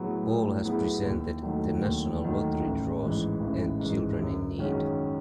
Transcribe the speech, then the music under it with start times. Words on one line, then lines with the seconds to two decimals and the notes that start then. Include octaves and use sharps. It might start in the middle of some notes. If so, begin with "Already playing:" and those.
Ball has presented "The National Lottery Draws" and "Children in Need".
Already playing: A2 F#3 B3 E4 G#4
0.23 A2
0.63 F#3 B3 E4 G#4
1.03 D#2
1.42 D#3 F#3 A3
1.81 D#2
2.21 D#3 F#3 A3
2.60 A1
3.01 G#2 E3
3.40 A1
3.80 G#2 E3
4.19 F#2
4.59 D#3 G#3 C#4 F#4